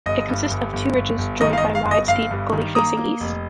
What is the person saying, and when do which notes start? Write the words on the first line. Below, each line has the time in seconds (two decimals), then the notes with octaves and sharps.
It consists of two ridges joined by a wide steep gully facing east.
0.06 G1 D#5
0.29 G2
0.51 G1
0.73 G1
0.96 G1
1.18 G1
1.41 D#3 D#5
1.53 F5
1.58 D#5
1.63 G1
1.75 F5
1.86 G1
1.91 D#5
2.08 G1 F5
2.31 G2
2.52 D#3
2.75 A#3 A#5 D#6
2.97 A#3
3.20 F1